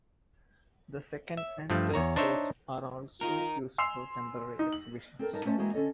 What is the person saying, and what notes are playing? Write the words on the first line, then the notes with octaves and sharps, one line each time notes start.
The second and third floors are also used for temporary exhibitions.
E5
G2 F3 A3
E2 C#5 A#5
D4 D#4 C5 C#5 E5
D#4 F4 A#4
G#5 C6 E6 C7 F7
D#4
F#7
C4 A4 A#4
G2 D#4 A#4 A5
A3 C#4 C5 D#5 A5
E3 G#3 A#3 C4 E4 F#4
D3 C#4 A4 D#5